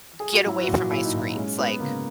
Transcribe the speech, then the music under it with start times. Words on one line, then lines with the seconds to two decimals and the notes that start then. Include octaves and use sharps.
get away from my screens, like
0.20 G#4
0.33 F#4
0.46 F#3 E4
0.61 F#4
0.68 A#2
0.76 F#4
0.90 A#2 E4
1.04 D#4
1.13 A#2 E4
1.35 G#3 C#4
1.58 G#3 B3
1.80 C#3 A#3